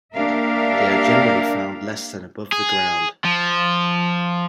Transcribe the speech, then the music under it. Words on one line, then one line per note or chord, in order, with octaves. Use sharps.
They are generally found less than above the ground.
A#3 D4 G4 A#4 E5 F5
G#4
F3